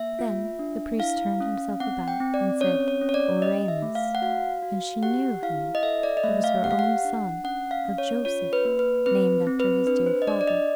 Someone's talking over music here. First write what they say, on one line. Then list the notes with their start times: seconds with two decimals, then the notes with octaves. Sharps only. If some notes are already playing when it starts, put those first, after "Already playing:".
Then the priest turned himself about, and said, "Oremus." And she knew him--he was her own son--her Joseph, named after his dear father.
Already playing: A#3 E5
0.19 F4
0.59 D4
0.99 E4 F5
1.40 C#4
1.80 C4 F#5
2.08 G5
2.20 C4
2.34 D5
2.61 C#4 C#5
2.88 C#5
3.01 C#4
3.09 C#5
3.14 D5
3.42 G4 D#5
3.68 E5
3.82 A3
3.95 F5
4.15 F#5
4.22 F#4 F5
4.62 F#4
5.03 G4 F#5
5.42 E4 F5
5.75 D#5
5.83 A4 E5
6.03 D5
6.17 D#5
6.24 A3 E5
6.44 F5
6.64 G4 F#5
6.71 F5
6.79 F#5
7.04 D4
7.44 C#4 F#5
7.71 F5
7.85 C#4
7.98 C#5
8.25 F4 C#5
8.53 B4
8.65 A#3
8.79 B4
9.06 C4 B4
9.47 C4
9.60 B4
9.87 D4 B4
10.06 C5
10.22 D#5
10.27 D4 D5
10.41 D5
10.47 D#5